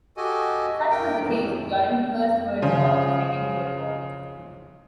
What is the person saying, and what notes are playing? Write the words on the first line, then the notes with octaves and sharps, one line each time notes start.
Such was the case during the First World War and Second World War.
F#4 G4 A4 D#5 G#5
A#4 G5
F2 A2 D#3 E3
C#3 F3